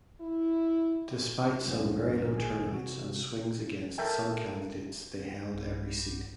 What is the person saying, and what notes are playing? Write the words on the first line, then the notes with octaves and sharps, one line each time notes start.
Despite some very low turnouts and swings against some candidates they held every seat.
E4
C#2 G2 D3 F3 B3 C#4
G#1 A#2 D#3 G#4 G#5
C3 F#4
A4 A#4 E5 G5
B1 G2